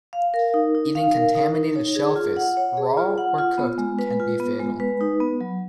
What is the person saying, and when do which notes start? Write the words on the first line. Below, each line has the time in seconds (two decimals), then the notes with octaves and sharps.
Eating contaminated shellfish, raw or cooked, can be fatal.
0.13 F5
0.34 A#4
0.54 D#4
0.75 D#4
0.95 F5
1.14 A#4
1.35 D#4
1.55 D#4
1.76 C#5
1.95 G#4
2.16 F4
2.37 F#5
2.57 C#5
2.77 G#4
2.97 F4
3.18 F#5
3.38 F4
3.58 B3
3.78 G#3
3.99 B4
4.20 F4
4.40 B3
4.60 G#3
4.80 B4
5.01 D#4
5.20 B3
5.41 F#3